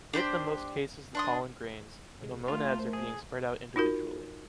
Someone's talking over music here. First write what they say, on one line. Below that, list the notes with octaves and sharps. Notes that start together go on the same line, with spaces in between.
It the most cases the pollen grains, the "Monads" are being spread out individually.
D4 G4 B4 C5
D4 C6 D#6
A1 C3 G#3
A3 D4 F4 F#4
A#3 C5
G#4
D#4 F4 F#4 A#4